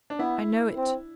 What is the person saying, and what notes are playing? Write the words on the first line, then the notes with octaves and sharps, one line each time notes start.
I know it.
D4
B3 E4
C4